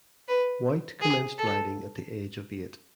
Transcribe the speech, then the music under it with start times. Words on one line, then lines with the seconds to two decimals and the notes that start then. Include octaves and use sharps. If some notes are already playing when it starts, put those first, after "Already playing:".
White commenced riding at the age of eight.
0.28 B4
1.01 G#4
1.38 A4